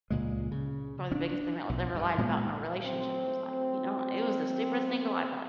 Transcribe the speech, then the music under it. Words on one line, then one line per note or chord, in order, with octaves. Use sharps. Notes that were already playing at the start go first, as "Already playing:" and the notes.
probably the biggest thing that was ever lied about in our relationship. I was like, "You know, it was the stupidest thing to lie about.
C#2 A#2 G#3
C#3
C#4 D4
B1
G2
A#2 G#3 B3
F#3 A3 C4